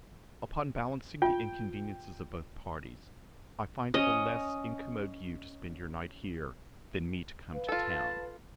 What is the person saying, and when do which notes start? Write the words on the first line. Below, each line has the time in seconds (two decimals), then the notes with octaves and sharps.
'Upon balancing the inconveniences of both parties, I find it will less incommode you to spend your night here, than me to come to town.
1.22 F4 G5
3.94 C#4 D#5
7.52 B4 F5
7.69 F4 A4 A5